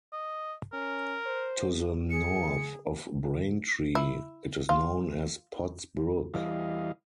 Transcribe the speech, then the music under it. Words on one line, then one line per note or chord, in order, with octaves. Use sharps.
To the north of Braintree it is known as Pods Brook.
D#5
C#4 A#4
C5
G#4 C#7
E4
F4
E2 E3 G3 D#5 F5